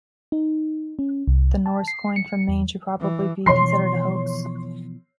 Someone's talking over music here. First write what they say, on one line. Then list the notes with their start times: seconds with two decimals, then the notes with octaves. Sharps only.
The Norse coin from Maine should probably be considered a hoax.
0.32 D#4
0.99 C#4
1.27 C2
1.66 A5
1.88 C7
2.16 C#7
2.49 E2
3.00 E3
3.46 B2 E3 F3 C#5 C6 C7